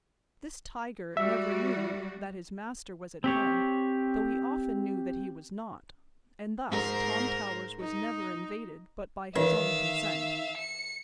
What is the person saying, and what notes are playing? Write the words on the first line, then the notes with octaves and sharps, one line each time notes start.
This tiger never knew that his master was at home, though he often knew that he was not, and thus Tom Towers was never invaded but by his own consent.
G3 F#4 E5
C4 G4 C#5
G#2 A#4 C5
D#4
D#3 E3 C#4 B4 E5 F5
C#7